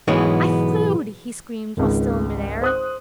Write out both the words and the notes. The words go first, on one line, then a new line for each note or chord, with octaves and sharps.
"I flewed!" he screamed while still in mid-air.
B1 G#2 E3 G#3 B3 C#5
G#1 C#2
C5 D#6 F#6